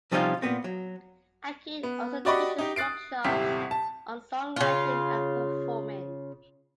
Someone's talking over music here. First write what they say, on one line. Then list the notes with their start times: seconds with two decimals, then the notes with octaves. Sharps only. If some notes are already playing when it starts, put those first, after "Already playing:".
Aiken also teaches workshops on songwriting and performing.
0.12 C3 F3 G3 C#4 D#4 F4
0.42 A#2 B3 C4
0.64 F#3
1.83 B3
2.25 F#4 G4 D5 D#5 B5 C#6
2.58 D#4 G4
2.76 D#6 F#6 A6 C7 D7
3.24 D#1 G#1 C3 E4 G5 B6
3.71 A5
4.56 C#3 F4